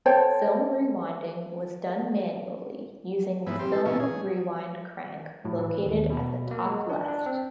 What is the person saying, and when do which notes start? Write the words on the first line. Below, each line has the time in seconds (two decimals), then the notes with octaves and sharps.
Film rewinding was done manually using the film-rewind crank located at the top left.
0.06 A4 C5 C#5 G5
3.47 G#2 E3 B3
3.59 G3 C4 G4
3.72 E4 A4 B4
3.85 A#2 E3 C#4
3.99 G#4
5.45 A2
5.59 E3
5.86 D#2
6.10 B2
6.51 A#3
6.66 G#3
6.89 D4
7.08 D4
7.26 C4